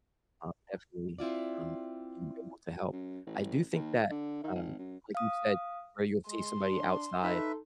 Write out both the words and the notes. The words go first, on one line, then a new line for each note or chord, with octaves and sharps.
um, definitely, um, you know, able to help. I do think that, um, like you said, where you'll see somebody outside,
C4 E4 F4 D5
F#2
A1
D#2
D3
D#3
G#1
F#2
F5 D#6
G#3 C6
D4
D#4 A4 B4 E5